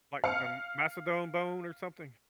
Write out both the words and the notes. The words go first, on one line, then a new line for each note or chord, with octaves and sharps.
Like, the mastodon bone or something?
F5 F6 C#7